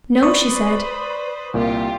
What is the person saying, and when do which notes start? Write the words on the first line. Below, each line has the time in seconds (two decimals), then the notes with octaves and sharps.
"No," she said.
0.23 B4 C5 D5 B5 C#6 D#6
1.54 C2 A#2 F4 G4